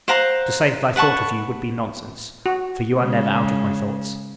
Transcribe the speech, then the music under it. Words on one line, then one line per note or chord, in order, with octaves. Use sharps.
To say that I thought of you, would be nonsense; for, you are never out of my thoughts.
C5 F5 F#5 A#5
B4 F#5 A5 C#6
F#4
C#3 G#3